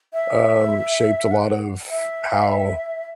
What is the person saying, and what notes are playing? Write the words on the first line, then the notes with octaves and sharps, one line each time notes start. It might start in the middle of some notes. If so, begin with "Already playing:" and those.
um, shaped a lot of how
E5
F#5
E5